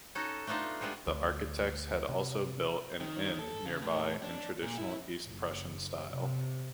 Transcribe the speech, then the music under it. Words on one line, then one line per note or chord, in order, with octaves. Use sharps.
The architects had also built an inn nearby in traditional East Prussian style.
C#4 D#4 F#4 A4
A3 B3 D4 D#4 F4
G3 G#3 B3 D4
D2
C3
D#3
A4
C#3
A2
D4
A#2
E4
F#1
C3